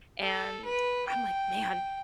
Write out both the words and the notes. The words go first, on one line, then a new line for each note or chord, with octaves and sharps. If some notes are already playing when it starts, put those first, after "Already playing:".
and I'm like, "Man,
A4
B4
G5